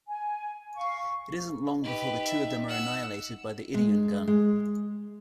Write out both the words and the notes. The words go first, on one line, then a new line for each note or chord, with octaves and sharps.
It isn't long before the two of them are annihilated by the Ideon Gun.
G#5
F5 C#6
D#4 G4 B4
E5
F#5 E6
G#3
G#3